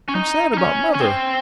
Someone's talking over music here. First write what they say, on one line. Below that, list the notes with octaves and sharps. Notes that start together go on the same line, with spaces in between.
"I am sad about mother."
C#4
D#4
D#4
C#4
C#4
C4